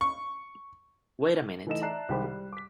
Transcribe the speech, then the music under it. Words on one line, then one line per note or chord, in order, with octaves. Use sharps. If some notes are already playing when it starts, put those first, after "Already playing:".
Wait a minute.
C#6
E3 A3 D#4 A4 D#5 E7
D5 E5 A5 A#5 F#6 C7
C2 D#3 G#3 G4 C5 B5
G3
D6 B6